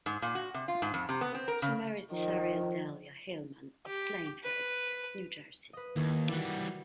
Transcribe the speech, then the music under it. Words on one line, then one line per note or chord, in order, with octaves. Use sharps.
He married Sarah Delia Hilman of Plainfield, New Jersey.
G#2
A#2
F#4
C3
F4
G#2
F2
C3
B3
C4
A#4
C#3
D#3 F3
G4
B4
B4 D#5
D#2 D#3 E4 A#4
E3 G3 F#4 D5